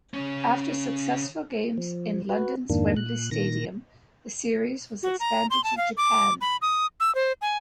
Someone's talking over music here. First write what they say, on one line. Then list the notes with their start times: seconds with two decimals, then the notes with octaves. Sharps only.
After successful games in London's Wembley Stadium, the series was expanded to Japan.
0.14 C#3 C#4
1.78 F3
2.29 F#4 B4
2.70 F2 G#2 D#3 A#3 D4
2.97 A#2 F#6
3.31 A#2 D#3 A#6
5.03 F#4
5.20 A#5
5.50 C6
5.64 A5
5.77 F5
5.97 D6
6.41 B5
6.62 D#6
7.00 E6
7.15 C5
7.42 G#5